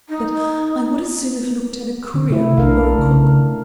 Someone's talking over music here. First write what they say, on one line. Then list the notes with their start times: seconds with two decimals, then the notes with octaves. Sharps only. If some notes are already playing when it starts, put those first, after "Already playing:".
But I would as soon have looked at a courier or a cook.
0.09 D#4
2.14 D3
2.30 C3 A3 E4
2.58 B1 D4 A#4 F5
2.98 C#3